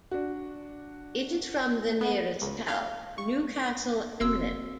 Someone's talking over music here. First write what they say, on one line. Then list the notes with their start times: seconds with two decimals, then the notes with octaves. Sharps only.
It is from the nearest town, Newcastle Emlyn.
0.11 D4 F#4
2.01 B3
2.42 C#2
2.68 F5
3.18 C#6
4.21 F1 C4 F#4 E6